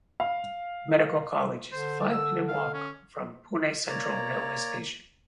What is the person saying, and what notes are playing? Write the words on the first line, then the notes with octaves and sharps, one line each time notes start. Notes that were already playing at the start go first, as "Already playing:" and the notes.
Medical College is a five-minute walk from Pune central railway station.
F5
D3 C5
D5
E6
F5
C#4
A#3 C#5 D5 A#5